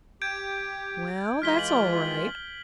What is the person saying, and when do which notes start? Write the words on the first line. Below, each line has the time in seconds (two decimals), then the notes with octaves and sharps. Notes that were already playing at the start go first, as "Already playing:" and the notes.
Well, that's all right.
0.22 G4 G6 G#6 D7
1.42 E3 G#3 F4 F6 B6 G7
1.59 F#7